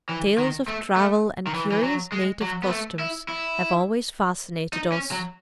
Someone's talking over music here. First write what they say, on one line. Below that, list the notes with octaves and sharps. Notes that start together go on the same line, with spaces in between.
Tales of travel and curious native customs have always fascinated us.
E3
D#3
A3
A3
D#3
E3
E3
F#3
G#3
F#3
B3
A3
E4
E4
D#4
C#4
F#3